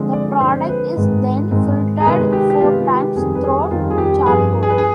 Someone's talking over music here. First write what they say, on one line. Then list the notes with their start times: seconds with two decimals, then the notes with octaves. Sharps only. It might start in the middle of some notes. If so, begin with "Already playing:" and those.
The product is then filtered four times through charcoal.
Already playing: D3 F3 G#3 C4
0.13 D5
0.40 D3 F3 G#3 C4 C5
0.69 B4
0.96 G#2 D#3 G#3 C4
1.51 G#2 D#3 G#3 C4
2.00 G#4
2.05 C3 D#3 G#3 B3 B4
2.33 G4
2.50 G4
2.60 C3 D#3 G#3 B3 F4
2.88 G4
3.15 F2 D#3 G3 C4 G#4
3.35 B4
3.44 G#4
3.70 F2 D#3 G3 C4 F4
3.90 G#4
3.98 G4
4.25 G2 F3 B3 G#4
4.63 G#4
4.70 B4
4.78 G#4